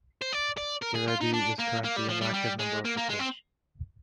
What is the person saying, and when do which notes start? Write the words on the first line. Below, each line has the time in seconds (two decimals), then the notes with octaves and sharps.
Gileadi is currently an active member of the church.
0.22 C5
0.32 D5
0.58 D5
0.83 A#4
0.95 G#4
1.08 F4
1.21 D#4
1.34 D4
1.59 A#3
1.84 A#3
1.96 G3
2.09 F3
2.22 G3
2.34 G3
2.60 G#3
2.85 A#3
2.97 A#3
3.10 G#3
3.19 C4